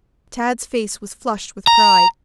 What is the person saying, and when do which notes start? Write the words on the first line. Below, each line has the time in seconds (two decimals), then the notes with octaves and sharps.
Tad's face was flushed with pride.
1.67 A#5